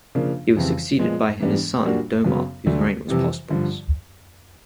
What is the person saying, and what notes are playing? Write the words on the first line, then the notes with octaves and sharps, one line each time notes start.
He was succeeded by his son Domar whose reign was prosperous.
C#3 F3 A#3 D4
F2 C#3 E3 G3 C4
A#2 F3 G#3 B3
G#2 E3 G3 B3 D4
A#2 G3 A#3 D4 F#4
F#2 C#3 F#3 B3
D2 D3 F#3 A3 D4
F2 C3 E3 G3
G2 D3 F3